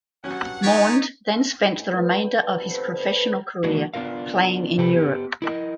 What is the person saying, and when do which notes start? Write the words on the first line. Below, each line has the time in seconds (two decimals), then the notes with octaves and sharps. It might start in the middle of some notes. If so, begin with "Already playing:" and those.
Maund then spent the remainder of his professional career playing in Europe.
0.24 G2 F#3 C#4 F#5
0.63 D#4 G4 C#5 D5
1.75 A2 D#4 G#5
1.90 G3 B3
2.36 B4 A5
2.61 C3 F3 B3 A4
2.92 D3 D4 B4
3.15 B4
3.64 E3 G#3 A#3 D4 F#4
3.94 B3 D4 F4 A#4 F5
4.78 C3 G4 A4 B4
4.93 B3 G4
5.42 E4 A#4 D#5